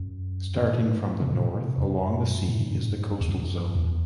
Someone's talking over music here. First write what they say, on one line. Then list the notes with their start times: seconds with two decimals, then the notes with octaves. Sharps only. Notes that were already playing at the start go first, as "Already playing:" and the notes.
Starting from the north along the sea is the coastal zone.
Already playing: F#2
0.57 G#2
1.20 C3
1.30 A2
1.40 C3
1.78 E2
1.85 F#2
2.48 A2
2.61 G#2
2.75 F#2
2.88 G#2
3.11 F#2
3.20 E2
3.29 F#2
3.75 E2